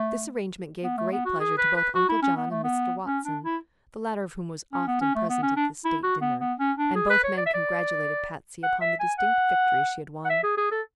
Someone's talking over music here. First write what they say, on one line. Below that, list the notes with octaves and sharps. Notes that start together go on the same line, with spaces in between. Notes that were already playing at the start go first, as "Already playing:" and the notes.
This arrangement gave great pleasure to both Uncle John and Mr. Watson, the latter of whom was often present at the "state dinner," and both men congratulated Patsy upon the distinct victory she had won.
Already playing: A3
B3
A3
B3
F#4
G#4
B4
B4
F#4
E4
C#4
B3
A3
B3
C#4
D4
E4
C#4
B3
C#4
A3
B3
C#4
D4
E4
F#4
B3
B3
C#4
D4
G#4
B4
C#5
D5
E5
D5
F#5
E5
G#5
F#5
F#5
E5
G#4
G#4
A4